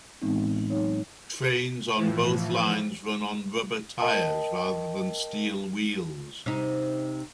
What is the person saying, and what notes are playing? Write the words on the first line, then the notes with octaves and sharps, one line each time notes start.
Trains on both lines run on rubber tyres rather than steel wheels.
A2 E3 G#3 B3 C4 D#4
F#3 D#4 C#5
A2 E3 F3
A#4 D#5 G5 A5
C3 D#4